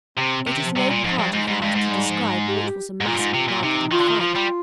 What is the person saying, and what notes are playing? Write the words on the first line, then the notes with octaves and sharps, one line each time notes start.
It is no part of ours to describe what was a massacre rather than a fight.
C3 C4
C3
D#3
F3
C3 G3
A#2
G#2 F3
G2
G#2 G#3
G#2
G2 G#3
G#2
G3
F3
G#3
G4
F4
G4
G#2
A#2 F4
G2
G#2
C3
A#2
C3 D#4
D#3 F4
D3
D#3
F3 F4
G3